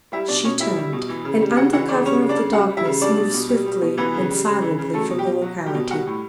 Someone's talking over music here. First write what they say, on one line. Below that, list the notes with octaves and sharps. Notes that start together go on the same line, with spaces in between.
She turned, and, under cover of the darkness, moved swiftly and silently from the locality.
G3 E4 E5
B2 D4 D5
B2 C#4 C#5
G3 E4 E5
G3
B2
E3
C#3
G3
C#3 F#4 F#5
E3 F#4 F#5
C#3 D4 D5
G3 C#4 C#5
C#3
D4 D5
C#3
G3 F#4 F#5
G3
E4 E5
C#3
G3 D4 D5
B2
B2
G3
G3
B2
E3 B3 B4
C#3
G3
C#3
E3
C#3
F#3 A3 A4
B2
G3 G4
B2
F#3 F#4
F#3
G3 G4
B2
G3 F#4 F#5
A2